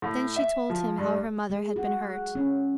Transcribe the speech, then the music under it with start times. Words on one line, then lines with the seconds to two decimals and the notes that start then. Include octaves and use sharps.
Then she told him how her mother had been hurt.
0.02 A2
0.36 E5
0.70 F3
0.98 G2
1.50 G#3
1.76 F#4
2.35 C#4